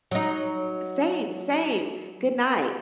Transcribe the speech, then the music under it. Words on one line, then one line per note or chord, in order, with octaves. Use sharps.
Same, same, good night.
F#3 D#4